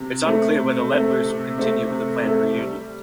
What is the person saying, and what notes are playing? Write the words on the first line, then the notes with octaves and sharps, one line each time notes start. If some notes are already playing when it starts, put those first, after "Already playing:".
It's unclear whether Let Loose will continue with the planned reunion.
Already playing: C3
A3 C4 A4 E5
C3
A3 C4 A4 E5
C3
A3 C4 A4 E5
C3
A3 C4 A4 E5
G3